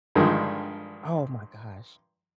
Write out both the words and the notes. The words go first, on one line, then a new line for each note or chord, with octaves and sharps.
Oh my gosh.
G2 D3 D#3 F3 G#3